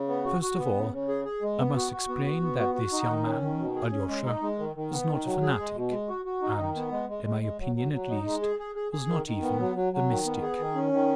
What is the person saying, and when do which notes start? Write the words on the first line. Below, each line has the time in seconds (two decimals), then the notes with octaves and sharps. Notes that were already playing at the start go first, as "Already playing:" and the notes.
First of all, I must explain that this young man, Alyosha, was not a fanatic, and, in my opinion at least, was not even a mystic.
Already playing: C#3
0.08 B3
0.25 F#4
0.42 F#4
0.59 B3
0.75 C#3
0.92 C#3
1.08 G#4
1.25 G#4
1.42 G#3
1.59 B3
1.75 F#4
1.91 F#4
2.09 B3
2.26 F#4
2.42 B3
2.59 F#4
2.75 F#4
2.92 D#4
3.08 D#3
3.26 C#4
3.42 D#3
3.59 B2
3.76 G#4
3.92 C#4
4.08 G#3
4.25 D#4
4.42 G#3
4.59 D#3
4.76 D#3
4.92 B3
5.09 D#3
5.26 F#3
5.43 G#4
5.59 G#3
5.75 B2
5.91 G#3
6.09 F#4
6.25 F#4
6.42 D#4
6.59 D#3
6.76 B3
6.92 G#3
7.09 G#3
7.25 G#3
7.42 G#3
7.59 F#3
7.75 F#3
7.92 F#3
8.09 D#4
8.25 G#3
8.42 G#4
8.59 G#4
8.75 G#4
8.92 G#4
9.08 D#3
9.26 D#3
9.42 B3
9.59 F#3
9.75 F#3
9.93 F#3
10.09 D#3
10.25 B3
10.42 G#4
10.59 D#3
10.75 C#4
10.92 D#3